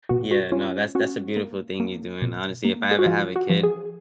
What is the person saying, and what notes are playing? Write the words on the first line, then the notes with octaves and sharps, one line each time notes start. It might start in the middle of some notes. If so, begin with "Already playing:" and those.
Yeah, no, that's that's a beautiful thing you're doing, honestly, if I ever have a kid,
B2 F#4
F#4
C#4 F4
C#4 F#4
A#3
A#3
B2
A#3
G#4
F#4
F3 F4
F#4
F3
G#4